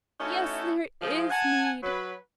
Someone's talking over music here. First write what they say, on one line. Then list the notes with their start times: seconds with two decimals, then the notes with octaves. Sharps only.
"Yes, there IS need!"
0.20 A3 C#4 D#4 E4 F#4 A4
1.01 F3 G#3
1.31 F#5 G#5 A5
1.83 F#3 B4